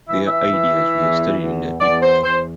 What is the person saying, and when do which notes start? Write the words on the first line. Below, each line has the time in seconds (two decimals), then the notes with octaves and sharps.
Their ideas were studied in depth.
0.09 E3 E5
0.26 E5
0.52 E3
0.95 E2
1.38 E2
1.81 E2 D5
2.02 C5
2.23 E2 C5